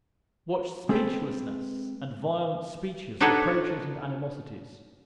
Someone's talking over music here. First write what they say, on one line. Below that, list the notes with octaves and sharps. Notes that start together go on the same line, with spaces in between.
What speechlessness and violent speeches,--reproaches and animosities!
G#3 C4 G#4 A4 B4 G5
D4 D#4 F#4 A4 B4 C#5